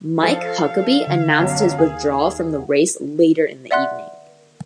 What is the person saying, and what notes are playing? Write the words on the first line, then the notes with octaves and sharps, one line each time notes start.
Mike Huckabee announced his withdrawal from the race later in the evening.
F3 A4 D5 F5
D3 G#6
B1 F#2 F#3
D#2 G#4
D5 E5 F#5 C6 F#6